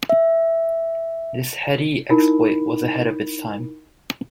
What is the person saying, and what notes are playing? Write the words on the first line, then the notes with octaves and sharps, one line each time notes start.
This heady exploit was ahead of its time.
E5
D#4 E4 A#4 B5